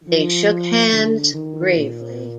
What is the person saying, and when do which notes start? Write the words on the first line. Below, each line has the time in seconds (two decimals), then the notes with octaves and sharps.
They shook hands gravely.
0.08 F3
0.92 D3
1.34 D#3
1.76 A#2